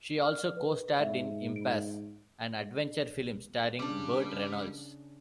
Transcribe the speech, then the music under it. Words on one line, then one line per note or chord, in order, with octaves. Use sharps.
She also co-starred in "Impasse", an adventure film starring Burt Reynolds.
D5 F6
B4
G#2 E5
D7
C#3 G3 D4